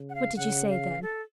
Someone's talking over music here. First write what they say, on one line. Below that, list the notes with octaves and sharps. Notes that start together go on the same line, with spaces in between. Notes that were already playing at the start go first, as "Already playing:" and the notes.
"What did you say, then?"
Already playing: C#3
F#5
F5
C#3 F#5
F5
A4